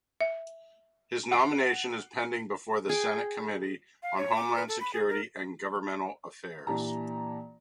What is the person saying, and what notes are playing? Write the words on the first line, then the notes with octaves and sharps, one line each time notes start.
His nomination is pending before the Senate Committee on Homeland Security and Governmental Affairs.
E5
F#5 C7 D7
G#4 G5
F5
C#5
D6
B4
A4
B5
G#4
A#4
A#1 E3 G4 A5 A#5